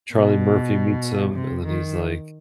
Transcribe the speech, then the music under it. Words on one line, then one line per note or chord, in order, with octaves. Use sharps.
Charlie Murphy meets him and then he's like,
B2
C3
D#3